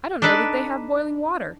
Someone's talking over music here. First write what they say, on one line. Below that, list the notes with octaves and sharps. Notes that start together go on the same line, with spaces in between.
I don't know that they have boiling water.
D4 D#4 A4 B4 D5